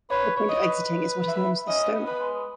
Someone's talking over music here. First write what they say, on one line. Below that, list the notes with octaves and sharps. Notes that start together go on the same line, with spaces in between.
The point of exiting is what is known as the stoma.
B4 C#5
C#5
D#5
B4
E5
C#4 D#5
B3
B4
G#3